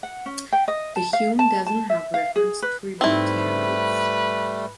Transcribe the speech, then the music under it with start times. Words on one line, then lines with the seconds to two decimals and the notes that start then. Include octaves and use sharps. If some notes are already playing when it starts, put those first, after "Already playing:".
The Hume doesn’t have referenced tributaries.
0.03 F#5
0.26 C#4
0.53 G5
0.68 D#5
0.96 A5
1.13 F5
1.39 A5
1.66 A5
1.90 E5
2.14 F5
2.36 G#4
2.62 B4
3.01 G#2 G3 A3 C4 D#4 E4 B4